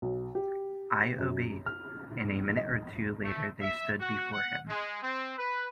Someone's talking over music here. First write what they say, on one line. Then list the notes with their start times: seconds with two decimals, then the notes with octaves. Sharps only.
I obeyed, and a minute or two later they stood before him.
0.02 B1
0.35 G4
1.18 F#2
1.66 F6
2.57 D#5
3.23 A3
3.61 E5
4.00 F#4
4.32 F#5
4.68 G#3
5.02 C4
5.38 B4